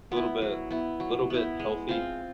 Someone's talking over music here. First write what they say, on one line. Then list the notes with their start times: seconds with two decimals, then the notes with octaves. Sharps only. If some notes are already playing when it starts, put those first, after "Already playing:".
Little bit little bit healthy,
0.12 B3 E4
0.42 F#3
0.71 B3 E4
1.00 F#3
1.30 B3 E4
1.60 G#3
1.89 C4 F4